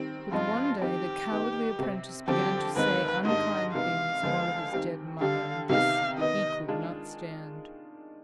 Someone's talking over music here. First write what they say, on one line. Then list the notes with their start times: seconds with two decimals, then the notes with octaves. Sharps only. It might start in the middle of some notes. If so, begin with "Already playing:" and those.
But one day the cowardly apprentice began to say unkind things of Oliver's dead mother, and this he could not stand.
Already playing: D#3 G3 C4
0.32 G2 F3 G#3 C4 D#4 F4
0.81 D#3 G3 C4 G4
1.30 D#3 B3 D#4
1.79 C3 G3 C4
2.28 D3 F3 C4 G4
2.76 D#2 D#3 G#3 C4 D#4 B4
3.25 G#2 D#3 G3 D4 D#5
3.74 C3 D#3 G#3 B3 F5
4.23 D2 D3 F3 G#3 B3
4.72 D#3 G3 C4 G4
5.20 D3 G3 D4 G4 F5
5.69 C3 D#3 B3 D#4 G4 F5
6.18 D#3 B3 D#4 D#5
6.68 D#3 G#3 D4 F4 G#4